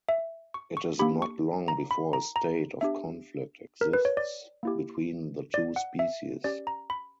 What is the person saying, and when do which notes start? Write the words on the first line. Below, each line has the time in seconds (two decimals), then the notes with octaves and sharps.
It is not long before a state of conflict exists between the two species.
0.09 E5
0.54 C#6
0.77 C#6
0.99 A#3 D4 G4 B5
1.22 C#6
1.68 A#5
1.91 B5
2.13 A#5
2.36 A#5
2.81 B3 D4 G4 E5
3.81 A#4
3.93 B4
4.05 C#5
4.17 D5
4.63 A#3 E4 G4
5.54 D5
5.76 F#5
5.99 E5
6.44 C#4 G4 D5
6.67 A#5
6.90 B5